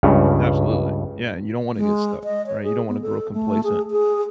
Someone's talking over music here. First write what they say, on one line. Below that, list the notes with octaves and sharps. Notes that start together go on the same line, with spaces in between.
Absolutely, yeah, and you don't wanna get stuck, right? You don't wanna grow complacent
C#2 G2 C#3
G#3
D#5
C#5
G#4
B3
A4
A3
G#4
G#4